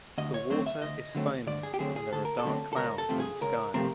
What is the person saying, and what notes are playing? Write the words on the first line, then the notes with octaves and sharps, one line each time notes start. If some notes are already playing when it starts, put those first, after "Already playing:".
The water is foaming and there are dark clouds in the sky.
D2 D#5
C#5
D3 F#3 A3 C4 C5
E5
D2 D#5
D3 F#3 A3 C4
D2 D5
G#4
G4
D3 F#3 A3 C4 G#4
G#4
D2 A4
A#4
A4
D3 F#3 A3 C4
A4
C#2 A#4
A4
C3 F3 A3 C4
G#4
C#2 A#4
C3 F3 A3 C4 A#4